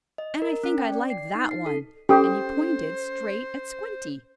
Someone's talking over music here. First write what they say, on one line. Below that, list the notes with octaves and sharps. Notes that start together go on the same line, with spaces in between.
"And I think I'd like that one," and he pointed straight at Squinty.
D#5
A#4
C#4
G5
D5
C7
D#4
C7
A4
C#4 G4 A4 C5